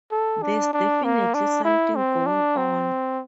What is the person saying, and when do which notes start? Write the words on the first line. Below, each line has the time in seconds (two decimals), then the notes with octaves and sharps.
There's definitely something going on.
0.11 A4
0.42 D4
0.73 D4
1.04 A#3
1.34 D4
1.64 E4
1.96 C4
2.26 D4
2.57 C4